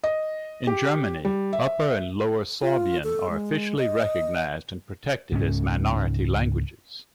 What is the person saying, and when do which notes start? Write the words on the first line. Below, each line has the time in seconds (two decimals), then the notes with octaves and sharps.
In Germany, Upper and Lower Sorbian are officially recognized and protected as minority languages.
0.04 D#5
0.67 G4
1.25 G3
1.53 E5
2.61 F4
3.04 A4
3.30 G#3
3.78 D#5
5.32 C#2 G#2 A3 C#4